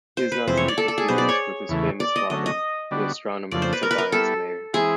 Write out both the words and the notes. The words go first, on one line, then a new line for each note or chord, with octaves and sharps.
He is not to be confused with his famous father, the astronomer Tobias Mayer.
C5
B4
F2 C3 E3 G#3 C4 C5
C#5
D5
A4
A4
G#4
B2 F#3 B3 D#4 C5
D5
C#5
E2 C#3 E3 A3
D5
D#5
D3 F#3 A3 C#4 D#5
D#5
D3 G3 B3 D4 F#4
F2 C#3 F3 A3 D4 D5
C5
B4
A#4
B4
A#4
G3 B3 E4 A4
E3 G#3 C4 E4 G#4